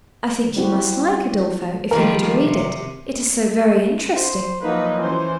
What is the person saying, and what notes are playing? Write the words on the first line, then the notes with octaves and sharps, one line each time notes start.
"I think you must like Udolpho, if you were to read it; it is so very interesting."
G3 C4 E4 F#4 G4
D#3 F3 G3 A#4
C3
C5
F3 F#3 A#3 D#4 B4
E3 C#4 C5